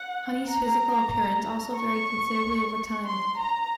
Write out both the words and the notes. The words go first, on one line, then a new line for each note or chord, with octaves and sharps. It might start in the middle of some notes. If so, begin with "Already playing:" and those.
Honey's physical appearance also varied considerably over time.
Already playing: F#5
A#5
C#6
C6
A#5